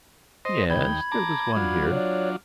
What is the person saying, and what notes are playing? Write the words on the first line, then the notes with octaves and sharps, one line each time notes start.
"Yes, there was one here."
C5 D#5 A#6
D#2 G5 B5 G#6
A5 A#5 D6
F#3 D4 F4
C#5 D5